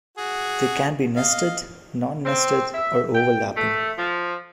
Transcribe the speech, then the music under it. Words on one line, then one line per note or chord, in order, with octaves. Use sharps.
They can be nested, non-nested or overlapping.
F#4 G#4
D#5 F5
C4
E5
G5
A3
F3